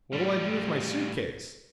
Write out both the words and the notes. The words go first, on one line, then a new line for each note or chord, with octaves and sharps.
'What'll I do with my suit-case?'
A2 G3